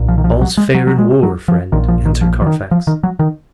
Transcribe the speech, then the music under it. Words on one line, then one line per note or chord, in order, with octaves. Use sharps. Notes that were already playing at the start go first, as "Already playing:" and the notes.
"All's fair in war, friend," answered Carfax.
Already playing: B1 A#2
F3
D#3
F3
F#3
G#3
F#3
F#3
G#3
F#3
F3
A#1 A#2 D#3
F3
D#3
F3
F3
D#3
F3
D#3
F#3
D#3